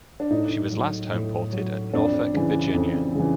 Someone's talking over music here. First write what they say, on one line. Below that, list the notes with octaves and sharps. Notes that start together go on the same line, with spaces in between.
She was last homeported at Norfolk, Virginia.
D4
A2 D#4
F#3
A2
F#3
F2 D4
C#3 E3
F2
C#3 E3